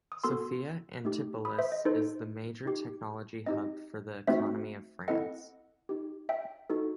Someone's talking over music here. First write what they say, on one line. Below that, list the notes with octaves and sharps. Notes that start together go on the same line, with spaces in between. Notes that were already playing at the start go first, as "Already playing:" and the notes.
Sophia Antipolis is the major technology hub for the economy of France.
D#6
B3 F#4 A4 C6 E6
A3 D#4 G4
B5 D#6
C5 E5
D#5
D#4 A4 C5
D#4 G4
C4 D#4 G4 D#5
A3 C4 D#4 F#4 C5 E5
C4 E4 A4 D#5 F#5
D#4 G4
E5 G5
D#4 F#4 A4